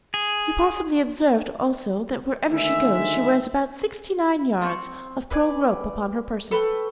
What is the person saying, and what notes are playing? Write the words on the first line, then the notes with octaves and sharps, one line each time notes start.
"You possibly observed also that wherever she goes she wears about sixty-nine yards of pearl rope upon her person."
G#4
D2 D#3 G#3 G#4 E5
C4 A5 C#6
B4 D5 G#5
A4 B4 G5 C#6